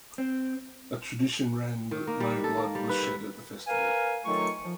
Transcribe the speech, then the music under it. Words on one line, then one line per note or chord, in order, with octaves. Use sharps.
A tradition ran that no blood was shed at the festival.
C4
D#3
A#3
G3
A4
A#3
G3
B4
E5
A#4 B4 F5 G#5
D#3 F#3 A3 F4 A4 C#6
F3